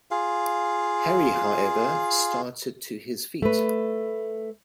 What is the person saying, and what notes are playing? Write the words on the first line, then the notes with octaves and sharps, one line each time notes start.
Harry, however, started to his feet.
F4 G#4 F5
A3 B4